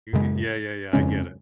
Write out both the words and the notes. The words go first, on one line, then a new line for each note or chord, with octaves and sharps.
y y yeah, yeah, yeah, I get it.
F#2 C#3 G#3
F2 C#3 G#3 C#4